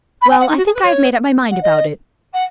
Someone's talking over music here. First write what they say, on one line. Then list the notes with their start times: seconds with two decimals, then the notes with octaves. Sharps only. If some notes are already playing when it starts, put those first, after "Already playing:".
Well, I think I have made up my mind about it.
0.21 B5
0.30 G#5
0.39 F#5
0.48 D#4
0.57 F#4
0.65 G#4
0.74 B4
0.83 C#5
1.50 F#5
1.62 D#5
2.33 F#5